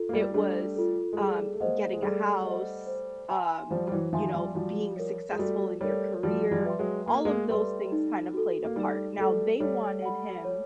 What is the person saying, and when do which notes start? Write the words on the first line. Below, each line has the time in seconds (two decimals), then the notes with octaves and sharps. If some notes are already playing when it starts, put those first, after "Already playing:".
it was, um, getting a house, um, you know, being successful in your career, all of those things kind of played a part. Now, they wanted him
Already playing: F4 A4
0.09 A#3
0.13 G3 A3
0.34 G3 A3 D4
0.76 F4 A4
1.13 G#3
1.18 G3 A3 G#4
1.53 A3
1.60 G#3 A#3 C5 D#5 F#5
1.93 G#3
2.02 G3 A3 G#4
2.44 C5 D#5 F#5
2.87 C5
3.29 E5 G#5 C6
3.71 F3 G3 C5
3.87 G3
3.92 E3 F#3
4.13 D#3 F3 E5 G#5 C6
4.33 F3 G3
4.55 F3 G3 F#4
4.97 A#4 C#5
5.32 G#3
5.39 G3 A3 F#4
5.81 G3 A3 A#4 C#5
6.23 F3 G3 F#4
6.51 F3 G3
6.65 B4 E5 G5 C6
6.79 F#3 G#3
7.07 A#3 F#4
7.17 A3
7.25 G#3 A#3
7.50 G3 A3 B4 E5 G5 C6
7.92 D#4
8.34 F#4 A4
8.65 A#3
8.76 G3 A3 D#4
9.18 G3 A3 F#4 A4
9.60 G3 A3 C#5
10.02 F#5 B5
10.45 C#5